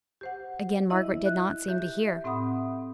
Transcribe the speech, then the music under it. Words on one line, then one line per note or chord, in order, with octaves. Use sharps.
Again Margaret did not seem to hear.
G4 C5 F#5
E4 D#5 E5
F#6
G4 E5
A2 C4 E5 F#5 B5 D#6